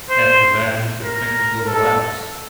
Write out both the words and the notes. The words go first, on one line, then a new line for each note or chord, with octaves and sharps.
After that he could think of little else.
C5
A#4
A4